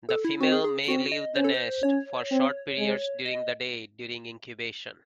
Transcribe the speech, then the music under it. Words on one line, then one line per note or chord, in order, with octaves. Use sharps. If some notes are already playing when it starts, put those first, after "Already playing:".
The female may leave the nest for short periods during the day during incubation.
A4
E4
C4 F#4
G#4
G#4
C4 F#4
D#5
C#4 C5
A4
C5
C#4 C#5
C4
G#3
D#5